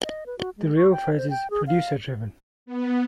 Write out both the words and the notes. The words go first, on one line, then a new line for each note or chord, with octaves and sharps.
The real phrase is 'producer driven'.
D#5
B4
F#4
G#3
C#6
G5
C5
G5
G#4
F5
B3